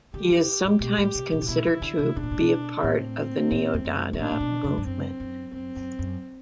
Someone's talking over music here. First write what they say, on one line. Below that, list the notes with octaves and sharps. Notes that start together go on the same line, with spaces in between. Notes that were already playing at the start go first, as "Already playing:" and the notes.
He is sometimes considered to be a part of the Neo-Dada movement.
D3 G4
E2
A2
B2 G4
A2
C3
B2
C3
B2 E4
E3
D3
C3
C3 D4
B2
A2
B2
A2 C4
A2
E2
F#2
G2
A2 D4
A2
B2
F#2
G2
F#2 C4
F#2
F#2 C4
F#2
F#2